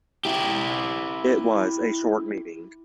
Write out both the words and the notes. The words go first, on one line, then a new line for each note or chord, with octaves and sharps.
It was a short meeting.
E4 G4